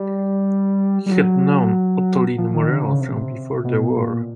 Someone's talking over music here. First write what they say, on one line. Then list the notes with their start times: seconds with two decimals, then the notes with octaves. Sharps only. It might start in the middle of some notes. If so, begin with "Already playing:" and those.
He had known Ottoline Morrell from before the war.
Already playing: G3
1.06 G3
1.11 F#3
2.38 F3
2.54 D#3
2.69 D3
2.85 C#3
3.01 C3
3.64 B2
3.96 A#2